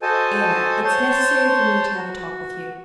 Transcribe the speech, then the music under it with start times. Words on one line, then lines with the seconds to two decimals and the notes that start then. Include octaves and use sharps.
"Anna, it's necessary for me to have a talk with you."
0.02 F#4 A4 C5 D#5 G#5 A5
0.85 C5 C#5 A5 C6
1.96 F#4